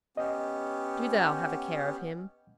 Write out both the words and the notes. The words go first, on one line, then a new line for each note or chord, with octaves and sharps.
Do Thou have a care of him.
B3 C#4 G4 D#5